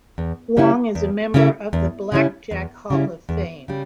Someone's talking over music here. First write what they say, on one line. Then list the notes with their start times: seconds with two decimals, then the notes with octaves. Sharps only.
Wong is a member of the Blackjack Hall of Fame.
0.18 E2
0.57 C#3 G3 C#4 E4
0.95 E2
1.34 C#3 G3 C#4 E4
1.73 E2
2.12 C#3 G3 C#4 E4
2.51 E2
2.90 C#3 G3 C#4 E4
3.29 E2
3.68 C#3 G3